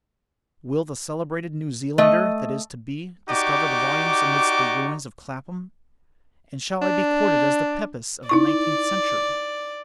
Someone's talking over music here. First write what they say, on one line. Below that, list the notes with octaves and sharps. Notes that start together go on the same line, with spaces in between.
Will the celebrated New Zealander, that is to be, discover the volumes amidst the ruins of Clapham? and shall I be quoted as the Pepys of the nineteenth century?
A3 D#5
D#4 F#4 G4 D5 C#6 D6
D4
D#4 E4 D5 C#6